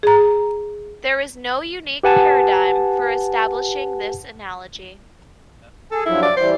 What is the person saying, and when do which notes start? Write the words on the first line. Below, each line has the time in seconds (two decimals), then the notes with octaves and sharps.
There is no unique paradigm for establishing this analogy.
0.03 G#4 A#5
2.03 G4 B4 F#5 G#5 A5
5.92 G#4 A4
6.06 G2 F3 F#3 E4
6.23 D5
6.37 E3 G3 C5